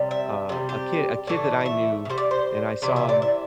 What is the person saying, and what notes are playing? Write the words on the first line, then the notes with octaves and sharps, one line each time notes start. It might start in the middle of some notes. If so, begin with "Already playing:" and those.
uh, a ki a kid that I knew, and I saw him
Already playing: C3 G3
E5
C3 G3
G4
A2 E3 A3 D5
E5
B2
G3 C5
D5
C5
C3 E3 D5
E5
D5
E5